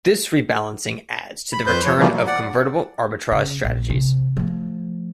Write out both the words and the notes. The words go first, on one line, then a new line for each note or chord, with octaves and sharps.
This rebalancing adds to the return of convertible arbitrage strategies.
B5
F2 B4 C5 G6
F3 C#5
B2 E3 F3 G3 A3 A#3
F#3
D5 F#5
C#3
A#1
C3 E3
F3 A3